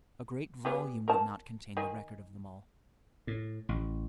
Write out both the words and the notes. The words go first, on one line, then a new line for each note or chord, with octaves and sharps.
A great volume would not contain the record of them all.
G3 B3 G#4
A#4 A5
D#3 G#5
A2
A1